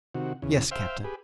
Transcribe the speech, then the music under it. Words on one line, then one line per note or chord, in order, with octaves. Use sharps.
"Yes, captain."
C3 D#3 F#4
E2 C#3
C5 E5 F5 G5
G4 G#4 B4